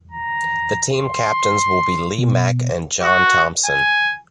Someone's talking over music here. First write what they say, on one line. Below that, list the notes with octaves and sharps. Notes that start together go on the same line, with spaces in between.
The team captains will be Lee Mack and John Thomson.
A#5
C6
B2
F#4
G#5